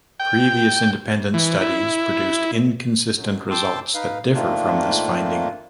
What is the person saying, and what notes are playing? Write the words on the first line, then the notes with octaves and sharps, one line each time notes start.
Previous independent studies produced inconsistent results that differ from this finding.
G5
E3
E4
F#2
G5 A5 C6 D6 E6
D#4 B4 F5
G#2 D#3 A3 A#3 D4 F4